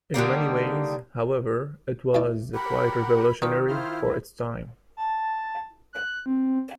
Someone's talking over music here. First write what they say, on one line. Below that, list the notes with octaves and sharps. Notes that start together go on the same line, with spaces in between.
In many ways, however, it was quite revolutionary for its time.
D3 D#3 G3 A#3
D2 E4 D5
G4 A#4 F#5 B5
D#3 D4 F4 B4
E4 F4 C5 F6
G2 D3
A5
F#6
C4